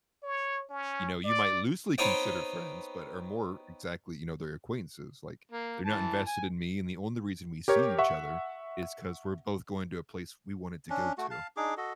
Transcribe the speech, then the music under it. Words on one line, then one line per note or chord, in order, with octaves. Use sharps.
you know, you might loosely consider friends, but are more exactly, you know, they're acquaintances. Like, they're not invested in me, and the only reason we see each other is 'cause we're both going to a place we wanted to go to.
C#5
C#4
D5
B3 C4 D#4 C#5 D#5 G5
A#3
E3 A5
G#5
G4 A#4 C#5
E5 F#5 C#6
C#4 D4
A3 F#4
F5 A5
D4 D#4 G#4 D6
F#4 A4 D#5